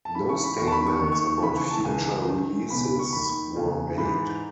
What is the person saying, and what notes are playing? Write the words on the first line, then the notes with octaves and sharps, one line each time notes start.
No statements about future releases were made.
A5
G#2 E3 B5
C#6
B5
E2 D#3 C#6
A5
B5
C#6
D#2 D#3
C#6
D#2 C#3 E3 B5
C#6
A5
C#2 C#3 E3 G#5
F#2 D#3
C#2 B2 B5
B5
C#6
D#2 D#3 B5
D#2 C#3 E3
G#2 E3 B5